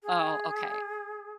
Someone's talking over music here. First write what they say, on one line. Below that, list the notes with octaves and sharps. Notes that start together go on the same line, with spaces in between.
Oh, okay.
G#4